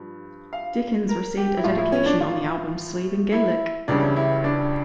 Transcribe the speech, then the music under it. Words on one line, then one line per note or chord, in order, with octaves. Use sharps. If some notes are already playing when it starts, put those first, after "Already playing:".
Dickins received a dedication on the album's sleeve in Gaelic.
Already playing: G2 F3
F5
A#4
G4
E4
A2 F3 F4
E4
C#4
D4
F4
E4
C#2 C#3 E3 G3 D4
E4
D4